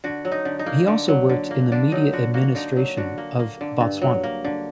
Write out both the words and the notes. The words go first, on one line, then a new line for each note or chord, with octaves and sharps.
He also worked in the media administration of Botswana.
D3 F#4
F#3
D#4
D3
D#4
A#3
D3
F#3
D3
A#3
D3 D4
F#3 D#4
D3 F#4
A#3 F#4
D3 D#4
F#3
D3 F#4
A#3
A#3
D3
G2
F#3
A#3
D3